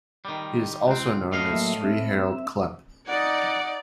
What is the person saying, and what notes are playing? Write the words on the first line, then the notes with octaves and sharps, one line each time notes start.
He is also known as Sri Harold Klemp.
D#3 G3
C#2 C4
A2 D#5 F5
F#3 A#3 E5
C4 E5
D#4 D5 D#5 F#5